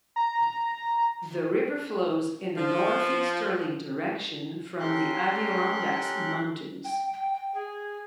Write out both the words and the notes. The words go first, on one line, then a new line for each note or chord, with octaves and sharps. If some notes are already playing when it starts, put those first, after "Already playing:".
The river flows in a northeasterly direction from the Adirondack Mountains.
A#5
F3
C#4 G4 A4 A#4 C6 F#6
G5
G5
G5
G#4